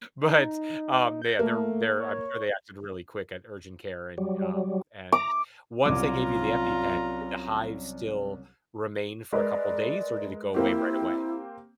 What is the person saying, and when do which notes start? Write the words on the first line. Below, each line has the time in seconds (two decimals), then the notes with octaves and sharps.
But, um, yeah, they're, they're I'm sure they acted really quick at urgent care, and, um and once they gave you the EpiPen, did the hives still remain for a couple of days, or did it go away right away?
0.22 D#4
1.22 G6
1.39 A3 A#3
1.99 C#5
4.18 F#3 G3
5.12 A#5 D6
5.86 C2 F#3 C4 C#4 F4 A#5 D6
9.33 G#3 A#4 B4 D5
10.55 A#3 C4 E4 G4